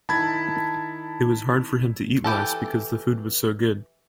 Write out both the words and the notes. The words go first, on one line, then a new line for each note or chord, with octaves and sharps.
It was hard for him to eat less because the food was so good.
D#3 E4 A5 B5 G#6
E3 G4 A4 A5